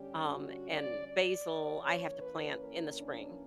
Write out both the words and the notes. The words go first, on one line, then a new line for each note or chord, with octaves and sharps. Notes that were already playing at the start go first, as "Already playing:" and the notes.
um, and basil, I have to plant in the spring,
Already playing: D3 G3 C#4 G4
F#4
D5
D5
E3 A#3 C#4 C#5
B4
A#4
D4